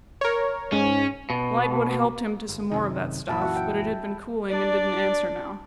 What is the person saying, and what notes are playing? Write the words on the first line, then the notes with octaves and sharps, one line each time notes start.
Lightwood helped him to some more of that stuff, but it had been cooling, and didn't answer now.
A#4 C#5
G#2 C#4
B2
G1
F#2 C3 D#3
F#2 A#2 E3 E5 A5 B5
F#4 E5 F#5
G5
D4 D5